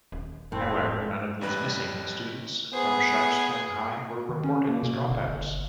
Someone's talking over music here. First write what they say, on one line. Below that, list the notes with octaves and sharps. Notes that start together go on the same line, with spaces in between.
However, none of these "missing" students from Sharpstown High were reported as dropouts.
D#1
A2 C4
A1 G3 B4
B3 G#4 C5
D#3
C#4
A#3
B2
G1
G1